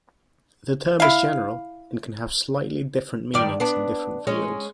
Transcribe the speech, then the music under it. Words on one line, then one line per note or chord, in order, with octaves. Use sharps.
The term is general and can have slightly different meanings in different fields.
E4 F5
G2 D#3 D5
B3 D4
G#3 C#4 C#5